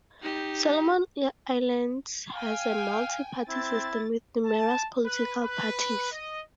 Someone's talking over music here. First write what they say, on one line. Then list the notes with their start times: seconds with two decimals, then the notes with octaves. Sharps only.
Solomon Islands has a multi-party system with numerous political parties.
0.22 D#4 G4
2.36 F5 G5 G#5
3.49 C4 E4 A6
4.45 A5
5.05 B4
5.43 B4
6.12 D#5